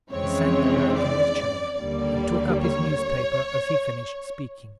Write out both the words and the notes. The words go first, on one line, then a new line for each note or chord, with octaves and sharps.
He sank back in his chair, and took up his newspaper as he finished speaking.
F2 C#3 E3 G#3 C4 C#5
D5
D#2 D3 G3 A#3 D5
C#5